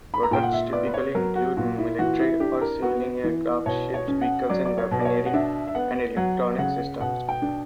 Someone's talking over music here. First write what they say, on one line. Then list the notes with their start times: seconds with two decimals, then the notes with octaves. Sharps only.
Products typically include military or civilian aircraft, ships, vehicles, weaponry, "and" electronic systems.
0.14 B5
0.23 A#5
0.31 A#2 G5
0.43 F#5
0.53 E5
0.73 B3 D5
0.86 B4
0.94 C#5
1.15 F#3 A#4
1.36 F#4
1.57 A#2 F#4
1.78 E4
1.99 E3 F#4
2.20 E4
2.40 D4 G4
2.61 A#4
2.82 B3 F#4
3.24 E3
3.66 B2 C#5
3.94 C#5
4.08 C#4
4.21 F#5
4.49 F#3 D5
4.65 D5
4.78 C#5
4.91 B2
5.00 D5
5.05 C#5
5.26 F#5
5.34 D4 E5
5.67 E5
5.75 B3 F#5
6.16 F#3 F#5
6.58 C#3 F#5
7.01 B2 F#5
7.29 G5
7.42 D4